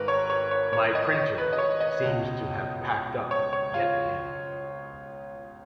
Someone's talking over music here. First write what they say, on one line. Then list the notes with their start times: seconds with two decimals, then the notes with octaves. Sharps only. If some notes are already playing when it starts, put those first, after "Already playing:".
My printer seems to have packed up yet again.
Already playing: G#1 G#2 D#3 A#4 B4
0.08 C#5
0.30 C#5
0.51 C#5
0.73 C#5
0.95 D#5
1.16 C#5
1.38 B4
1.53 D#5
1.58 C#5
1.81 D#5
2.02 C#2 B2
3.31 C#5
3.53 C#5
3.74 F4